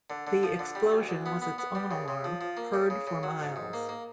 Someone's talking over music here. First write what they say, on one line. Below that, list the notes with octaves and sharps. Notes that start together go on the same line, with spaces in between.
The explosion was its own alarm, heard for miles.
D3
D3
F3
D3
G3
D2
D2
B3
B3
B3
G3
C#3
C#3
F3
F3
A#3
C#3
C#3
C#3
F#3
G#2
G#2
A#3
A#3